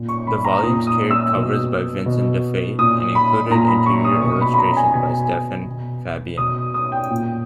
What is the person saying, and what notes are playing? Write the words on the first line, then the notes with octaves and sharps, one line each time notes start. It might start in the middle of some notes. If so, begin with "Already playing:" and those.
The volumes carried covers by Vincent DiFate and included interior illustrations by Stephen Fabian.
Already playing: A#2
C#6
B5
A#5
A#2 D#6
D#6
E6
B2
B2
A#2 D#6
B5
A#2 A#5
B5
C#6
D#6
B2 C#6
B5
B5
A#5
G#5
B2 G#5
B2
B2 D#6
D#6
G5
A#2